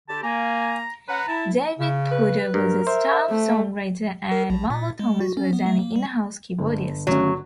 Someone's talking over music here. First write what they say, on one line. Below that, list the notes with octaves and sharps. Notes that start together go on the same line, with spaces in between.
David Porter was a staff songwriter and Marvell Thomas was an in-house keyboardist.
D3 G4 A5
A#3 G#5 A#5
C#4 B4 F#5 A#5
E4 A5
C#3
B4
G2 A#4
C5 E5
A3
A#4
A#1
A#2
G#3
F#4
C#4
B3
A3
A#3
G3
G1
D#3 F#3 A3 C#4